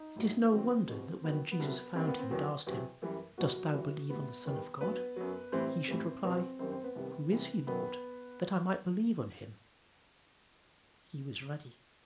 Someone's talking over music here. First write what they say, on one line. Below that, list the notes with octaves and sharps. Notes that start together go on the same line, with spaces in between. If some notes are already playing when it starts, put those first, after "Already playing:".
It is no wonder that when Jesus found him and asked him, "Dost thou believe on the Son of God?" he should reply, "Who is he, Lord, that I might believe on him?" He was ready.
Already playing: D#4
A2 F#3
D#2 D#3 F#3 C4
E2 B2 G3
D#2 D#3 F#3 B3
B3
C2 C3 F#3
D#2 D#3 G3 C4
B3
C4
E2 D#3 F#3
E2 C3 F#3
F#2 E3 G3
C2 B2 F#3 G3 F#4
G2 E3 G3
A2 G3 B3 B4
E2 D#3 G3
G2 F#3 B3 B4
F#2 F#3
A2 E3 G3 C4 C5
A2 E3 G3
E2 B2 F#3 C4 C5
F#2 D#3 G3 C4 C5
C4 C5
B3 B4
C2 C3 D#3 G3
C2 C3 E3 G3
F#2 D#3 F#3 B3 B4